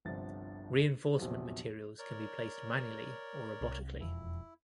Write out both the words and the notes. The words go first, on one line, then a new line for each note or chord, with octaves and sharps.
Reinforcement materials can be placed manually or robotically.
G1 C2 D3 F3 A6
A#1 E2 C3 F3 F#3 F4
A#4 C#5 D5
C2
E1 F2 E4